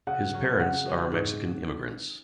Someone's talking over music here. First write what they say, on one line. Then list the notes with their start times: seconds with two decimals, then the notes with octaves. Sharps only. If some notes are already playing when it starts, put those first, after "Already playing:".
His parents are Mexican immigrants.
0.07 C#3 F#5
0.33 F#3 C#4
0.60 C#3 F#5
0.86 F#3 C#4
1.12 G#2